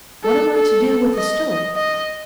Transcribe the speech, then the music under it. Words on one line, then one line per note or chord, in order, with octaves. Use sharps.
"What am I to do with a stone?"
A4
A4
D#5
D#5